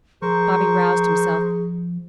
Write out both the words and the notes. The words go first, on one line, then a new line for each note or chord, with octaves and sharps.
Bobby roused himself.
F3 G#4 A#4 C5 C#6